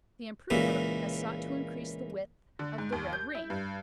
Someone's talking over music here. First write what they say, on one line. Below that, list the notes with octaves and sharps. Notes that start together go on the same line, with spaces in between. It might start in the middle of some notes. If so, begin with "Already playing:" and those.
The improver has sought to increase the width of the red ring.
C#2 A#2 E3
D3
G#2
D#2
G6
E4
G2